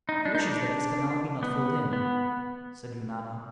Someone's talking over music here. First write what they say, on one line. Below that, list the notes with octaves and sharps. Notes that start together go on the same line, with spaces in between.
"He wishes that this canal be not filled in," said Eunana.
D#4
D4
D#4
D4
B3
B3